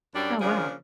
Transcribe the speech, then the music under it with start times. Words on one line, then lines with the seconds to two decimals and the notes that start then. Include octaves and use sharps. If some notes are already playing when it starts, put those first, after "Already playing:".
Oh, wow.
0.14 F#2 F#3 G3 D4
0.40 C#3 F3 A#3 D4 G#4